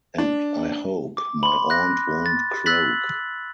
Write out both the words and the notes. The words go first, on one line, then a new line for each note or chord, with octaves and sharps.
And I hope my aunt won't croak.
D4
D6
B5 C6
F#6 A#6
A6
E6 F#6 A6 B6 F#7